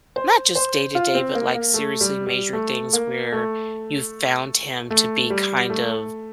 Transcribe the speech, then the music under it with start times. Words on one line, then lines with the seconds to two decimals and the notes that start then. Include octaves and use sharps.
not just day to day, but, like, seriously major things where you found him to be kind of
0.16 C5
0.55 C5
0.95 F4
1.15 C4
1.35 A#3
1.55 A#3
1.74 A3
2.01 G3
2.27 G3
2.53 A3
2.93 A#3
3.32 A3
4.91 A3
5.30 G3
5.70 A3